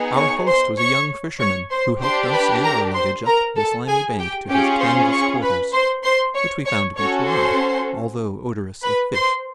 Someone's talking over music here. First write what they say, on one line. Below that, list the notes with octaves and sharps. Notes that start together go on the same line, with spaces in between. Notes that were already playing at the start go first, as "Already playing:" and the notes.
Our host was a young fisherman, who helped us and our luggage up the slimy bank to his canvas quarters, which we found to be dry, although odorous of fish.
Already playing: B3 D#4 G#4
C#5 C#6
C5 C6
C#5 C#6
C#5 C#6
C5 C6
D4 G4 C5 C6
B4 B5
A#4 A#5
C5 C6
A#4 A#5
A4 A5
G#4 G#5
G4 G5
C#4 F4 G4 G#4 G5
C5 C6
C#5 C#6
B4 B5
C5 C6
C5 C6
C#5 C#6
C#5 C#6
C#4 F#4 A4 C#5 C#6
C5 C6
B4 B5
C5 C6